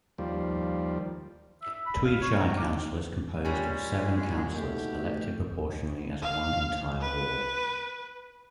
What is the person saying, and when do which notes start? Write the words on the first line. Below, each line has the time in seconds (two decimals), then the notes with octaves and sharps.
Tweed Shire Council is composed of seven Councillors elected proportionally as one entire ward.
0.18 D#2 F3 G3
1.62 E5
1.74 E5
1.86 B5
2.04 F5
2.20 C#5
2.33 A#4
2.58 D6
3.45 A#2 G3 G#3 C#4
4.55 D#2 B2 A3 G4
6.22 F5
7.01 B4